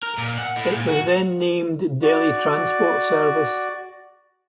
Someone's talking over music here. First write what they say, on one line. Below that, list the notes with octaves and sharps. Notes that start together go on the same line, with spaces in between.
It was then named "Delhi Transport Service".
A#4
A#2
F#5
A2
A#2
F#4
F#4 D5